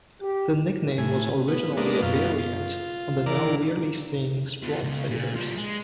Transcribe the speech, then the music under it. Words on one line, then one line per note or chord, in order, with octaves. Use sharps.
The nickname was originally a variant on the now rarely seen straw-plaiters.
G4
A2 G#5
B3
G#3 A#3 B3 D4
F#2 B2 F4
F4
E3 A#4 D5
F3 B3
C#2 C#3
A#2
F3 G3
G#3